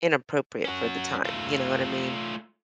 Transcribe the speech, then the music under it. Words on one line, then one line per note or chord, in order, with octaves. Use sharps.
inappropriate for the time. You know what I mean?
C#4 F#4
A3 F4